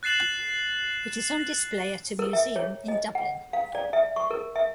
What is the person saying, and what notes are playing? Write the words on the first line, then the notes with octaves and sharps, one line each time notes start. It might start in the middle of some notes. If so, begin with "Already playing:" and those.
It is on display at a museum in Dublin.
F#6 A6 C7 E7 F#7
A#4
E5
C#5
D#5
F#5
F5
D5
E5
C#6
A#4
E5